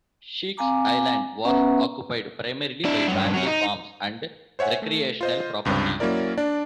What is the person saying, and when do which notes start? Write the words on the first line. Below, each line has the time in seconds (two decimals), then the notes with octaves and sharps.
Sheek's Island was occupied primarily by family farms and recreational properties.
0.57 C4 F5 G#5 A#5 D6
1.45 B3 C#4 B4 E5 F#5 A#5
2.85 D4 E4
3.08 G2 F#3
3.34 F#3 C#4
3.47 D#4
4.59 C5 C#5 E5 F#5 G#5
4.82 A3
5.21 F4 C5 D#5
5.65 C#2 G2 C3
6.00 F#3 A#3 C#4 E4 A#4 D5
6.38 D4 D5